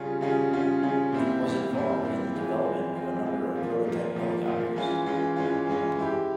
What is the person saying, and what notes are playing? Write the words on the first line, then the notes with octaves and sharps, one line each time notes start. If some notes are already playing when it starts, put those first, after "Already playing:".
It was involved in the development of a number of prototype helicopters.
Already playing: C#3 G3 C#4 F4 G#4
C#3 G3 C#4 F4 G#4
C#3 G3 C#4 F4 G#4
C#3 G3 C#4 F4 G#4
A#2 G3 C4 E4
A#2 G3 C4 E4
A#2 G3 C4 E4
A#2 G3 C4 E4
E3 G#3 C4 F4
E3 G#3 C4 F4
E3 G#3 C4 F4
E3 G#3 C4 F4
A#2 F3 A#3 F4
A#2 F3 A#3 F4
A#2 F3 A#3 F4
A#2 F3 A#3 F4
E3 G#3 C#4 F4
E3 G#3 C#4 F4
E3 G#3 C#4 F4
E3 G#3 C#4 F4
G#3 E4 G4